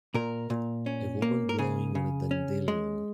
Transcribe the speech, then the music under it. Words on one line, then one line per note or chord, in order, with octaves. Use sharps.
A woman blowing on a dandelion.
A#2 A#4
A#2
C#4
A#3
A#4
C#3 G#4
C#3
C#4
G#3